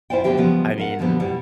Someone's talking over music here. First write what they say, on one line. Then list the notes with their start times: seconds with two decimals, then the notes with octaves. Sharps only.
I mean,
0.10 E4 F4 C5 D5 G5
0.24 D2 B2 D3 B3 G4 E5
0.37 C#3 F3 G3 G#3 B3
0.78 A#4 E5 F#5
0.99 A#2 D3 F3 G3 B3
1.20 B2 G3 E4 F#5